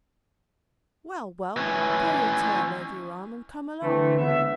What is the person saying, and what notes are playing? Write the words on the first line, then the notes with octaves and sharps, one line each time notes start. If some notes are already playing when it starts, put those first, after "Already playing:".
"Well, well, throw your tail over your arm, and come along."
E3 C#4
D3 E3 A3 C4
C#2 B3 E5